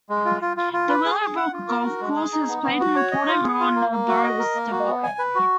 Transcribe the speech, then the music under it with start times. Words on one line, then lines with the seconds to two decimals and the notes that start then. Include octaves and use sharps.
The Willowbrook Golf Course has played an important role in the borough's development.
0.10 G#3
0.25 F4
0.42 F4
0.57 F4
0.73 F4
0.89 B4
1.05 G#4
1.21 G#4
1.37 F#5
1.53 F4
1.69 A#4
1.84 F#4
2.01 G#3
2.16 G#4
2.32 D#4
2.48 B3
2.64 B3
2.80 F#4
2.96 C#5
3.12 D#5
3.28 F4
3.44 G#4
3.60 F4
3.76 A#3
3.92 A#3
4.08 F#4
4.23 D#5
4.39 A#4
4.55 A#3
4.71 F#4
4.87 B3
5.03 G#5
5.19 B4
5.35 F#4